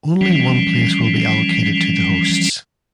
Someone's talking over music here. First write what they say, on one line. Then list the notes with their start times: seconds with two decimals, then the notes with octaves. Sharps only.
Only one place will be allocated to the hosts.
0.21 E3 F3 G3 C#4